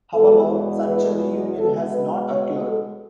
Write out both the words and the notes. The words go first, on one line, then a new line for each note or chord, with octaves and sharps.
However such a reunion has not occurred.
E2 B2 G#3 B3 A4
B4
B2 G#3 B3 A4
B4
C#5
A4